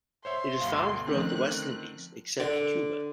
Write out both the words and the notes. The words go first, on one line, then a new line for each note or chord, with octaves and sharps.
It is found throughout the West Indies, except Cuba.
C5 C#5 E5 C6
D2 G2 B2 F5
D3 D#3 F3 A3 C4 C#4 F#6
D3